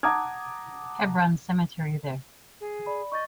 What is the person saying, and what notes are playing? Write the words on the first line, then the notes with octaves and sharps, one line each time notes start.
Hebron Cemetery there.
F#5 A5 A#5 D6 D#6 G#6
G#4
D5 B5
D#5 C#6 G6 A6